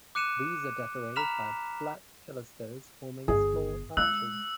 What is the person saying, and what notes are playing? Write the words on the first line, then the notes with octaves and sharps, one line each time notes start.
These are decorated by flat pilasters forming small arches.
D6 F#6 C#7 D#7 E7
A#5 B5 F6 B6 E7 F7
G1 G#4
G#3 E6 F#6